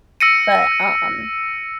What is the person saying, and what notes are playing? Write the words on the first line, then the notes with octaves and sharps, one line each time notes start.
but, um um,
E6 A#6 C#7 D#7